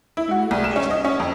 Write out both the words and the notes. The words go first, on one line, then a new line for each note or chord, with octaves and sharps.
"And you will let him?"
E4
F#4
C2
E7
C#4
D#5
C#4
F2